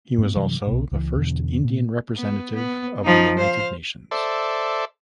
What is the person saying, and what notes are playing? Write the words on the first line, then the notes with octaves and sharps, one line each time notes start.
He was also the first Indian representative of the United Nations.
G#2 A#3 C4
G2 C3 E3 F#3
B1 B2
C#2 E3
E2 B2 D3
A#2
B3
B3
F3 D#4
C5 F5
A4 C5 D5 E5